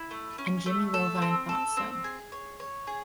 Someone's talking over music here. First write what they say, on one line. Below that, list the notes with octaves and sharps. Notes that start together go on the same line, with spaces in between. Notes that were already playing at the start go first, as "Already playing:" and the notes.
And Jimmy Iovine thought so.
Already playing: E4
A3
C#4
A3
A4
C4
A4
C4
G#4
C#5
C#5
G#4